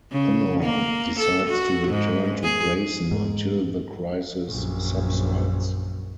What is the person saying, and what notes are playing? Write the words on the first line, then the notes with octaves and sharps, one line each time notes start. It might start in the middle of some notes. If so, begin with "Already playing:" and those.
Honor decides to return to Grayson until the crisis subsides.
C#3
A#3
A4
F#4
G#2
G#4
G#2
A#1 F#2